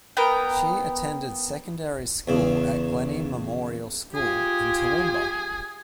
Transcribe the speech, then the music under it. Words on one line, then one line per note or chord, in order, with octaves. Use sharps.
She attended secondary school at Glennie Memorial School in Toowoomba.
B3 A#4 G5
E2 C#3
F4 G4 G#4